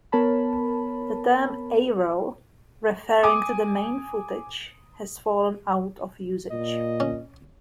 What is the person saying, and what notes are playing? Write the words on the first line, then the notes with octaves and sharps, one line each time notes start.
The term "A-roll" referring to the main footage has fallen out of usage.
B3 A#4 C#5 A5 B5
G#5 D6 D#6
A#2 D#5
C#4